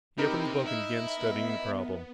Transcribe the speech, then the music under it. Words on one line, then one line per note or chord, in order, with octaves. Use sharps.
He opened the book and began studying the problem.
C3 C4 D#4 G4 A#4 B5
E4 D#5 E5
B3